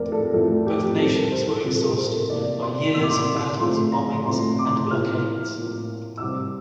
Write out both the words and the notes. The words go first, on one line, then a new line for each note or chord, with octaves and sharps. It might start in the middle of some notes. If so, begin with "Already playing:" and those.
Both nations were exhausted by years of battles, bombings and blockades.
Already playing: F2 A3 C4 A#4 D5
A4
F2 E3 A3 C4 A4
G4
A#2 G3 C4 A4
A#4
C5
A4
A#2 G3 C4 A4
A#4
C5
A4
A#4
C3 E3 A#3 D5
C6
C3 E3 A#3 E6
D6
C6
D6
A#2 F3 A3 C4 C6
A#5
A#2 F3 A3 C4 C6
D6
A2 F3 A#3 F6
A2 F3 A#3
E6
C3 G3 C4 D6